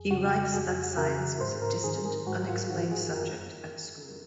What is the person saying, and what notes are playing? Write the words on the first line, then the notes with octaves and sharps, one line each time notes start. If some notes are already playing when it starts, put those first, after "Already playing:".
He writes that science was a distant, unexplained subject at school.
Already playing: F2 G#4
C#3 F#4
F2 G#4
C#3 A#4
G#2 C5
A#4
D#3 G#4
G#4
G#2 F#4
F4
D#3 F#4
G#4
F#2 A#4